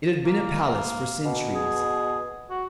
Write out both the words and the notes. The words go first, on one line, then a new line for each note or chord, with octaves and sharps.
It had been a palace for centuries.
A#3
B2
G#4
F#4